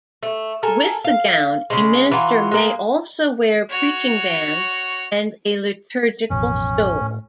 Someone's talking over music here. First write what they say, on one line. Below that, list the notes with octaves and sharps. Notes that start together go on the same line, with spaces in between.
With the gown a minister may also wear preaching bands and a liturgical stole.
A3
A4 A#4 G#5
F5
C#3 G#3
E3 F#3 F4
G#3 A#3
F#4 C#5
A1 F2 B2 C#4
A2